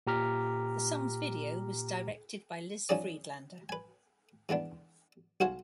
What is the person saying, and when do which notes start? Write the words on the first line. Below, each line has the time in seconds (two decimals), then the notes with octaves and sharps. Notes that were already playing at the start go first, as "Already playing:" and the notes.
The song's video was directed by Liz Friedlander.
0.07 A#2 G4 A#5 D6 F6 B6
2.89 F3 C#4 D#4 G#4 D5
3.69 B4 G#5
4.49 E3 G#3 B3 D4
5.40 B1 F#4 C5 F5 F#5 G#5